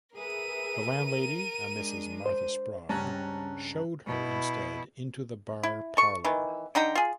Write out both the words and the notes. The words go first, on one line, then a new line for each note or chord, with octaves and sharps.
The landlady, a Mrs Martha Sprague, showed her instead into the bar parlour.
G#4 A#4 B4 E5 D#7
G#3 D4
C5
C#2 G2 G3 C4 C#4 A5 A#5 F#6
B2 E4
E4
A4 C#6
D#3 E3
D3 D#4 G5 A#5
F4 G#4